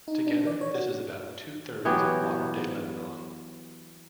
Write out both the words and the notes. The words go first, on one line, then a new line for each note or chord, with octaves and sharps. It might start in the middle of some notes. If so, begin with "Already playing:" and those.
Together this is about two thirds of modern-day Lebanon.
D#4
D4
D5
C#5
F#4
E3 F#3 B3 G4